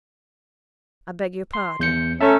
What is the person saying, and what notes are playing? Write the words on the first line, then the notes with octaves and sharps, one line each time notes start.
I beg your pardon.'
C6
E2 G6 C#7
A3 C#4 E5 A5 A#5